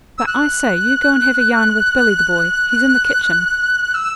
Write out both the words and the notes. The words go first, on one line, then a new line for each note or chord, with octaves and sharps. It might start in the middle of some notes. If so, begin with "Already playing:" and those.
But, I say, you go and have a yarn with Billy the Boy--he's in the kitchen.
E6
F#6
E6